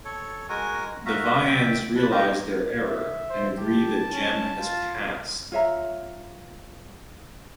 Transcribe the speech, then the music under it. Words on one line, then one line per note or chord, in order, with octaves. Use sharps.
The Vians realize their error, and agree that Gem has passed.
A4 C#5
G#3 F#4 A#4 G#5
F#4 E5 F5 A#5
E5 G5
B4 A5 B5
G4 D#5 F5 A#5
E5
C5
G4 A5
C#4
F4
F4 C#5 E5 A#5